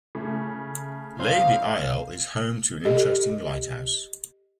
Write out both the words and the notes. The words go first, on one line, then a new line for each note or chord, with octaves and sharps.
Lady Isle is home to an interesting lighthouse.
C#3 A3
B1 F2 C5 F5
G4 A4 D#5